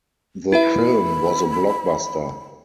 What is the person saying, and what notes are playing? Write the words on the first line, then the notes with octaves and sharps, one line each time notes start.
The film was a blockbuster.
E4 B4 E5 B5